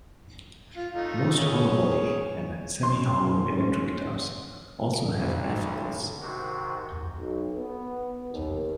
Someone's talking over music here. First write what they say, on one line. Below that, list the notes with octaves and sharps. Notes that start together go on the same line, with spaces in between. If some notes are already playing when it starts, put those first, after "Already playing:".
Most hollowbody and semi-hollow electric guitars also have F-holes.
F4
A3 D#4 F4
G#4 C#5
D#2 G#2 C#4 C6
B1
G#2 C3 D#3 F#4
B1
B3
D#2